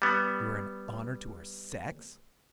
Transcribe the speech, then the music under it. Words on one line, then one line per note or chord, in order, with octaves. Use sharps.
You are an honour to our sex!'
G3 B3